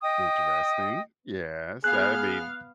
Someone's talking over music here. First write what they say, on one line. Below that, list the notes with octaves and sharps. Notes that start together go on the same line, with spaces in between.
Interesting. Yes. That'd be
D#5 G5 D#6
B3 G#4 F5 F#6